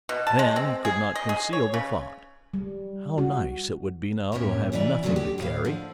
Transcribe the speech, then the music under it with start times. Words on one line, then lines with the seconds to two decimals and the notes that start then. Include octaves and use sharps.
Then he could not conceal the thought: "How nice it would be now to have nothing to carry!"
0.09 B2
0.27 A5
0.39 G#3
0.56 C4
0.85 G#4
1.15 D#5
1.29 G#4
1.53 C#5
1.74 C#3
2.54 G3
3.18 F#4
4.32 D#2 A2 A#3 C#4 G4 E5
4.72 D2 B2 E3 D5 E5 A#5
5.03 D#2 C#3 F#3 A3 D4 F4
5.16 G4
5.38 F2 A2 A#4 F5
5.65 D3 F3